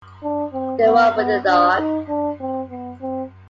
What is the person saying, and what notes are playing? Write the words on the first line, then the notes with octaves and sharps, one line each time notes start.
The one with the dog.
D4
C4
B3
B3
D4
D#4
D4
C4
B3
C4